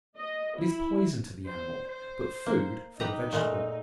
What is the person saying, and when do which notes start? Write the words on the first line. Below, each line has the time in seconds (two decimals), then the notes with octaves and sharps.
It is poison to the animal, but food for the vegetable.
0.16 D#5
0.57 E4
1.46 C5
1.88 C5
2.46 A#3
3.00 D#4 G4 B4 A#5
3.33 A#2 G#3 A3